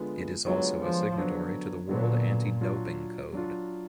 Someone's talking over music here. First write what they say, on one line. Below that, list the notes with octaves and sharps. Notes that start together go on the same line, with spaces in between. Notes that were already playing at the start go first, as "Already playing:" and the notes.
It is also a signatory to the World Anti-Doping Code.
Already playing: D3 G#3 B3 F4
D3 F#3 G#3 B3 F4
F3
D3 F#3 B3 D4
A#2 D3 F#3 B3 D4
F#3 D4 F4
F#3 D4 F4